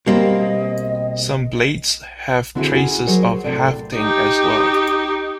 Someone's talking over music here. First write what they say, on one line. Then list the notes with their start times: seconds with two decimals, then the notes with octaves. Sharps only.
Some blades have traces of hafting as well.
0.06 B2 G3 A#3 C4 D#5
2.55 D3 C4 E4 F#4 G#4
2.74 C#4 E4 F#4 G#4 G#5
3.07 F#3 G#4 A#4 C5 C#5
3.44 A2 C3 F3 C4 A4 D5
3.95 D#4 G4